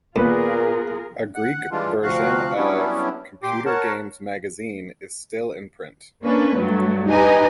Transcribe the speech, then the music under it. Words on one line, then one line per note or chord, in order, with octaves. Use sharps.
A Greek version of "Computer Games Magazine" is still in print.
D#2 A#2 A#3 B3 F4 G#4 A#4 B4
F#5
E3 G3 G#3 D4 F4
D2 C3 F3 F#4 F5 F#6
F#3 G3 B3 C#4 D4 E4
A#2 G4 C6 D6
A#4 C#5 F#5 A5
A#3 C#4 D4 B4
G2 F#3 A3
D#4 G4 B4 D#5 G#5 A#5